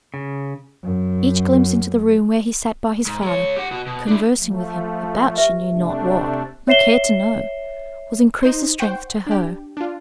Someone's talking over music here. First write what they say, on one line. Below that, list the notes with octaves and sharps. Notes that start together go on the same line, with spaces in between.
Each glimpse into the room where he sate by his father, conversing with him, about, she knew not what, nor cared to know,--was increase of strength to her.
C#3
F#2
G#2
G#3 C#5
G4 F#5
B2 F#4
B2
D4 E4
F3 A3
G4 B4 E5
C3 A3 D4
C#5 E5 C7 E7 G7
D#4 C5 C6
C5 F#5 G5 C#6
D4 G4
D4 F4